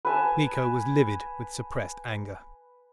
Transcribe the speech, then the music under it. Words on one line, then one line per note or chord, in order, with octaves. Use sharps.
Miko was livid with suppressed anger.
B4 G#5 A5